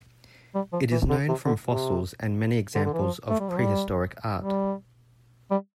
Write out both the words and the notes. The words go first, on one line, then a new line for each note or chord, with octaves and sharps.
It is known from fossils and many examples of prehistoric art.
G3
F3
E3
D3
C3
D3
C3
D3
D3
E3
F3
A3
G3
F3
G3
G3
G3